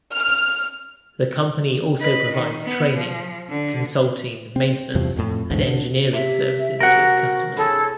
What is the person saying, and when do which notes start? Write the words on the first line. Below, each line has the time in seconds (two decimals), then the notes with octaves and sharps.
The company also provides training, consulting, maintenance and engineering services to its customers.
0.17 F6
2.00 B4 D#5
2.34 D#3
2.63 B3
2.97 F3
3.49 D3
4.56 C4
4.95 E2 G2 C3 F3
5.16 F2 A2
5.50 B1 E2 G#2 D3
5.67 D3
6.13 C3 E5
6.80 C4 F#4 A#4 F#5
7.57 E4 G#4 A4 C#5